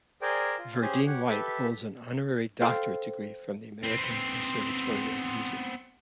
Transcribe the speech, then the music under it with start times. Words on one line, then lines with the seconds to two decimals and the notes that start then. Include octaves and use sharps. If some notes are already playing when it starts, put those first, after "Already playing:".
Verdine White holds an honorary doctorate degree from the American Conservatory of Music.
0.22 G#4 A#4 C5 D5 G5 G#5
0.58 F4
0.82 C#4 G4 G#4 C5 G#5
1.06 G4 C#5 F#5
1.29 G4 A4 B4 E5
2.61 A4 C5 F5 G5
3.84 B3 C4